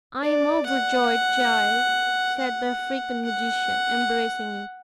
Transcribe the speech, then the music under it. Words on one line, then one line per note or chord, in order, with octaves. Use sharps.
"I am overjoyed, child," said the African magician, embracing him.
D5
F#5
F#5
F#5